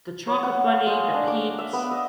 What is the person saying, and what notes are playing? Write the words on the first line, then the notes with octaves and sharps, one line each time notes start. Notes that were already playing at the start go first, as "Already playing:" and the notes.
the chocolate bunny, the peeps,
C#5
F#5
F5
G#3
D4
D6
E5
B3
D#5